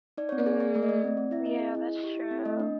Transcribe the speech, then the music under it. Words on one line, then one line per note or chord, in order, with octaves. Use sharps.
Mm, yeah, that's true,
D#4 D5
C4 C#5
D5
G#4
G#4
A3 D5
D#5
A3 D5
C4
C4
E4 E5
C4 D#5
G#4
E4
E4
G4
E4
C4
A3 D#5
D4